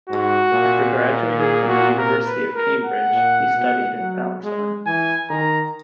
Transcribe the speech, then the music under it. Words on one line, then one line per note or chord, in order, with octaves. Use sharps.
After graduating from the University of Cambridge he studied in Palestine.
G#2 F#4
A#2
G#4
F#4
A#4
B4
A#4
F#5
A#2
B2
F#3
G#3
E3 G#5
D#3 A#5